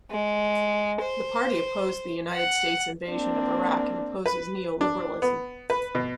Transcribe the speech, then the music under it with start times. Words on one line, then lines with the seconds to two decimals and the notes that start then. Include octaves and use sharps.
The party opposed the United States invasion of Iraq and opposes neoliberalism.
0.11 G#3
1.02 C5
2.35 F#5
3.11 A#3 C4 D4
4.26 B4
4.81 D4
5.22 B3
5.70 B4
5.95 B2